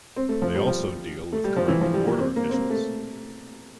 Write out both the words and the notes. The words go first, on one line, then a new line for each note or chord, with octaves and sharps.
They also deal with corrupt border officials.
C4
A3
F3
G3
F3
A3
G3
F3
E3
F3
G3
A#3
C4
A#3
C4
A#3
A3